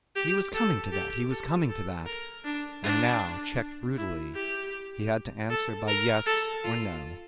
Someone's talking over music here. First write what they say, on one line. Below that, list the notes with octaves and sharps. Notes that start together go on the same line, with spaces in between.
He was coming to that, he was coming to that--and now, checked brutally, he had to answer by yes or no.
G4
A4
G4
A4
A4
A#4
D4
D4
E4
G4
A4
A#4
A4
F4